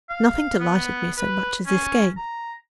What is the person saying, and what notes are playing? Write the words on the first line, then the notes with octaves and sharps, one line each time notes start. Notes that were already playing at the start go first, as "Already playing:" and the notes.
Nothing delighted me so much as this game.
F5
B3
B4
C#4
A#5